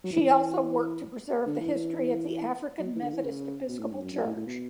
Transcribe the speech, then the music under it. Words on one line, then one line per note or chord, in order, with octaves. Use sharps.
She also worked to preserve the history of the African Methodist Episcopal Church.
F#3
E3
D3
E3
E3
F#3
E3
D3
E3
C#3
B2
A2
G2
F#2
F#2
A2
A2
B2